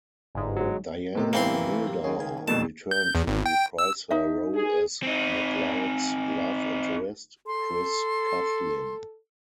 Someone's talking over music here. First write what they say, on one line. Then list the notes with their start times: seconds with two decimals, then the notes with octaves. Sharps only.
Diana Muldaur returned to reprise her role as McCloud's love interest, Chris Coughlin.
0.35 G1 G#2
0.56 F#3 G#3
1.15 A2 C3 B3 A#4 D#5
1.33 E3 A#3 C4 C6
1.87 F#3 G4
2.04 F#2 G#4 C#5
2.20 D#3 G#5
2.48 E1 F2 B2 E3 A3 A#3 A5
2.91 G6
3.15 E2
3.27 G#1
3.46 G5
3.78 E6
4.11 D#4 E5
4.54 G#4
5.03 C4 D#4
7.47 A4 C6